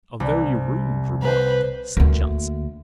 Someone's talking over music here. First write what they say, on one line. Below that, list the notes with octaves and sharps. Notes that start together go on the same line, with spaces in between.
"A very rude remark," said Johnson.
C2
B4 C5
D2 A#3